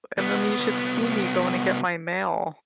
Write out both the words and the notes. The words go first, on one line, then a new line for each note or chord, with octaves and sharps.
And then you should see me going to get my mail.
C2 B3